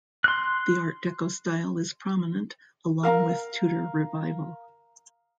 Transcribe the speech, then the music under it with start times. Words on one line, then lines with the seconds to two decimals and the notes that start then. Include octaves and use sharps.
The Art Deco style is prominent, along with Tudor Revival.
0.24 C6 F#6
3.03 A#4 F5 A#5